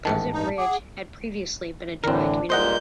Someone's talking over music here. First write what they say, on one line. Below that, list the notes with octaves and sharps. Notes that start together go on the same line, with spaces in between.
Pleasant Ridge had previously been a dry community.
A1 G#2 D#3 A5
G2 D#4
G#4 F#5 D6
A2 D3 E3 C4 D4 A#4
G2 A#2 G#3 C5 D#5 F#5 G6